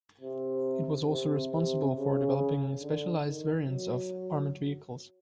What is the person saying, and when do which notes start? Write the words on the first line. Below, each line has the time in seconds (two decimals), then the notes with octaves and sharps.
It was also responsible for developing specialised variants of armoured vehicles.
0.21 C3
1.09 C3
1.51 C3
1.94 C#3
2.81 D3
3.25 D#3
3.68 F#3